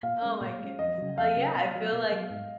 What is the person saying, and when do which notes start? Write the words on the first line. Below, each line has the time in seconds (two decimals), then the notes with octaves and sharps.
Oh my goodness. Uh, yeah, I feel, like
0.03 A#2 F5
0.22 G#3 C#4
0.41 A#2
0.60 G#3 C#4
0.79 F2 D#5
0.98 C#3 F#3
1.17 F2 F5
1.35 C#3 F#3
1.55 B2
1.73 F#3 B3
1.93 B2
2.12 F#3 B3
2.30 G#2